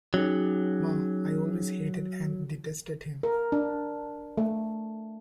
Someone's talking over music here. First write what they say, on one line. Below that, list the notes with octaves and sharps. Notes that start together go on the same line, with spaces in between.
Ma, I always hated and detested him.
F#3 C#4 D#4 G#4
A#4
D4
A3